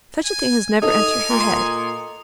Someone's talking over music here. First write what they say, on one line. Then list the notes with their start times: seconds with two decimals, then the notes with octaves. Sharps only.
Such a thing has never entered her head.'
0.25 G#5
0.82 D#4 A4 D#5 G#5 D#6
1.30 A#2